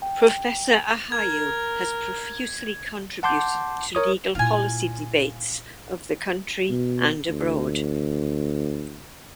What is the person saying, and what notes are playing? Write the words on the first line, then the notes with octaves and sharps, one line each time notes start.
Professor Ahuja has profusely contributed to legal policy debates of the country and abroad.
G5
A#4 G#6
F#5 A5 C6 D6 G6
A#4 C#5 D#6
A#2 E4 F4 G#5
B2
D2